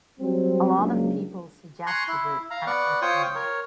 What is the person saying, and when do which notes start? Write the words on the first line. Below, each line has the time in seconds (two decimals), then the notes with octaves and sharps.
A lot of people suggested it at the time.
0.20 F#3 G3 C4
0.76 C#2 F#3 A#3 D4
1.87 G#5 A#5 C6 C#6 F#6
2.08 E4
2.51 F5 A#5
2.67 B3 D5 F#5 C#6
3.02 F4 C5 C#5 G5 C#6 D#6
3.35 A#4 C#5